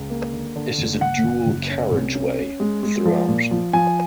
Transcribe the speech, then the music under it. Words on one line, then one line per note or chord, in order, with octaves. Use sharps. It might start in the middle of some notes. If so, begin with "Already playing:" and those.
It is a dual carriageway throughout.
Already playing: C#2
A#3
D3
D3
F#1
F#1 F#5
F#1
F#1
C#4
C2
C#4
C#4
G#3
G#3
F3
A#2
F3
F3 G#5